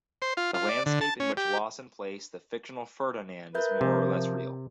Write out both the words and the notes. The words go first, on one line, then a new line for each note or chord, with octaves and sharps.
The landscape in which Lawson placed the fictional Ferdinand is more or less real.
C5
F4
F4
D5
D3
A5
C#4
G4
A#4 B4 E5 G6
C3 F3